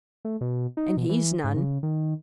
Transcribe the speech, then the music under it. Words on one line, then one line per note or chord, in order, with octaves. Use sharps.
And he's none.
A3
B2
D#4
B2
E3
G#2
C#3
D#3